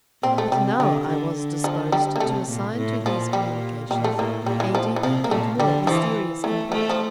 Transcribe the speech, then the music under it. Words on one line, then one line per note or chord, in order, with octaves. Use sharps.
But now I was disposed to assign to these communications a deeper and more mysterious import.
A#2 C4
A3
C3 G3
D3 G3
D3
D3
F3
G3
A#3
C3 A3
A#2
A2
A#2 F3
G3
A#2 G3
A3
A2 A#3
A#2 G3
E3
F3
E3
C3 F3
A#3
A#2 A3
D3 G3
E3 F3
E3 A3
F3 A3
F3